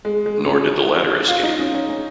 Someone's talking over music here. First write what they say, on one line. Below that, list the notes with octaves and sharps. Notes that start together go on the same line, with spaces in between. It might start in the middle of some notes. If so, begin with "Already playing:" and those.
Nor did the latter escape.
G#3
G#3
C#4
F4
D#4
C#4
C#4
C#4